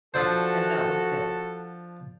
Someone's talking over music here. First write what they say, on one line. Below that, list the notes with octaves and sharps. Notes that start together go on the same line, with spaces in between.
And that was death!
F3 D4 F#4 A4 C5